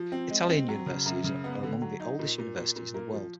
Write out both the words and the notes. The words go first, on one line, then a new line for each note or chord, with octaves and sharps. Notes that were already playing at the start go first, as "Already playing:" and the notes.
Italian universities are among the oldest universities in the world.
Already playing: F3
C4
G#3
C4
F#3
C#3
F#2
C#3
B3
D3
F#3
D#4
A#2
A#2
A#2
A#2
A#3
F3